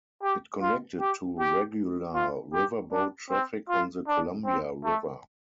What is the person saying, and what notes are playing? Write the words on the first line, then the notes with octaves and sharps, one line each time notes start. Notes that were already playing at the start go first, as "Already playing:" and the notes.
It connected to regular riverboat traffic on the Columbia River.
G4
F4
G4
G4
F4
G4
D4
C4
F4
D4
C4
A3